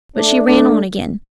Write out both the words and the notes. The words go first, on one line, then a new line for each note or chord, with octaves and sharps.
But she ran on again.
A3 D4
A3 D4